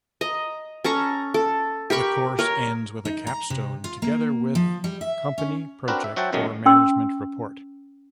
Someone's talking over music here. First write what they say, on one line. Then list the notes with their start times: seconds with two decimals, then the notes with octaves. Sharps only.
The course ends with a capstone together with company project or management report.
0.21 D#5 A#5
0.84 C#4 A4 A#5 C#6
1.34 A4
1.90 G4 A#4 B5 C#6
2.39 A#4 C#5
3.05 D#4
3.27 A#5
3.50 C3
3.84 F4
4.02 A#3
4.55 F3
4.84 G3
5.01 E5
5.38 C#4
5.88 C4 D4 F#4 A#4 B4
6.04 E5
6.16 F#3 F#4 C5 E5 G5 A5
6.33 B1 F#2 D#3 F#3 G#3 A3
6.66 C#4 G5 C6 E6